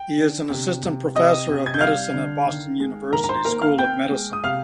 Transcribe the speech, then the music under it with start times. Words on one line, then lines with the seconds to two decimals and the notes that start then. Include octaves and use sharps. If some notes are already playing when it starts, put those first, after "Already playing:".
He is an assistant professor of medicine at Boston University School of Medicine.
Already playing: G5
0.17 D3
0.50 C3
0.83 C3
1.15 C3 D#5 D#6
1.49 C3
1.66 G#6
1.74 G6
1.81 G3 F5 F6
2.14 D3
2.47 D#3
2.80 G#3
3.13 D#3 A#4 A#5
3.24 A#5
3.29 C5 C6
3.45 A#3 A#4 A#5
3.61 F5 F6
3.78 C4 G5 G6
4.11 G#3
4.33 D#6
4.43 C3 F5 F6